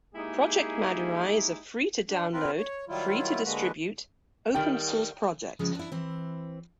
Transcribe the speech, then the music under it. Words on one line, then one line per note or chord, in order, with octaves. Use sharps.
Project madurai is a free to download, free to distribute open source project.
G#3 A#3 D#4 E4 G4 G#4
D4
C4 F4 A#4 B4
C#5
D#3 F#3 G3 E4 F4
D3 G#3 A#3 F#4 B4
D#3 G3 A3 G5
C#3 F3 G#3 C4
D4 E4
E3 C4